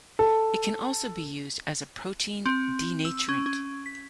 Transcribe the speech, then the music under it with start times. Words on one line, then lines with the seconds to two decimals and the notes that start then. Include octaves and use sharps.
It can also be used as a protein denaturant.
0.19 A4
2.46 C4
3.05 E6
3.29 C#4
3.46 C#4
3.86 B6